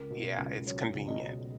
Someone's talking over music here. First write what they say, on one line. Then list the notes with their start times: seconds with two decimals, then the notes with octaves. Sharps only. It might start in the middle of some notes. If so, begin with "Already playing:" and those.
yeah, it's convenient.
Already playing: C#2 A#4
0.10 B2
0.38 C#2
0.66 F#3 C#5
0.95 C#2
1.08 D#5
1.22 B2